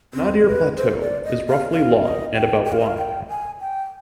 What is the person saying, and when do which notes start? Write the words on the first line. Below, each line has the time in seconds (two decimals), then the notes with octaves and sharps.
The Anadyr Plateau is roughly long and about wide.
0.14 C4
0.46 B4
0.77 C5
1.01 D5
1.24 D#5
1.48 F5
1.72 F5
2.03 D#5
2.34 G5
2.65 G5
2.72 F5
2.80 D#5
2.86 F5
2.98 G5
3.29 G#5
3.60 G5